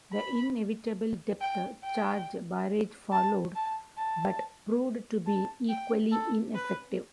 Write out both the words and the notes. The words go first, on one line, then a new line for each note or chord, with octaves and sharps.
The inevitable depth charge barrage followed, but proved to be equally ineffective.
B5
G5
G5
A5
A5
A5
A5
G5
A4
B4